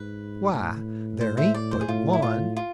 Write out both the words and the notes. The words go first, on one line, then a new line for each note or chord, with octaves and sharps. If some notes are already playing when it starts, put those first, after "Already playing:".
"Why, there ain't but one."
Already playing: G#2 B4
A2
C5
C5 E5
D5
C5
G#4
A2 F4
E4
A2 F4
F4